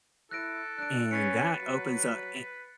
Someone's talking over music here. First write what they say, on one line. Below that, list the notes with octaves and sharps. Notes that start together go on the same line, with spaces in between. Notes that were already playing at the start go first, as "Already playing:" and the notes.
And, that opens up eh
E4 A4 F#6 A#6 D7
D4 F#6 D7
C#4 B4 A6 C7 C#7
F#3